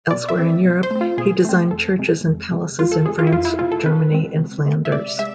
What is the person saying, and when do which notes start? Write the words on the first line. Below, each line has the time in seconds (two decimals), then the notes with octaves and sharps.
Elsewhere in Europe, he designed churches and palaces in France, Germany and Flanders.
0.11 B2 D5
0.29 E5
0.38 A3 C4
0.64 B2
0.83 C5
0.91 A3 C4
1.01 F4
1.18 B2 G#4
1.45 A3 C4
1.71 F2 A4
1.99 C3 G#3
2.24 F2
2.51 C3 G#3
2.79 F2 F4
2.92 A4
3.05 C3 G#3 G#4
3.19 F4
3.27 E4
3.32 F2 F4
3.45 E4
3.58 C3 G#3 F4
3.72 A4
3.86 C3 B4
4.12 G#3 C4
4.39 C3
4.66 G#3 C4
4.85 E5
4.92 C3 D5
5.19 G#3 E5